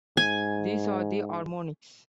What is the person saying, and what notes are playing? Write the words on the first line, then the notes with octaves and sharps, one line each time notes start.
These are the harmonics.
G#2 G#5